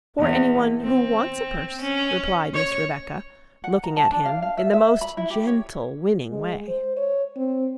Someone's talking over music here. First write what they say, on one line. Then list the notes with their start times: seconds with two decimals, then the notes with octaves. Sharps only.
"For any one who wants a purse," replied Miss Rebecca, looking at him in the most gentle winning way.
0.19 E2
0.82 C4
1.82 C#4
2.54 C#5
3.64 F#5
3.84 A#5
3.97 A5
4.12 D4
4.25 F5
4.42 F5
4.57 E5
4.73 E5
5.01 B5
5.17 E4
5.30 G4
5.47 C#5
6.31 G#3
6.68 C5
6.97 C#5
7.37 C4